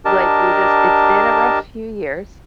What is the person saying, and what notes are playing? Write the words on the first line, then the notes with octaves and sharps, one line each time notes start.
like, we just it's been a rough few years,
D4 G4 A#4 D#5 A5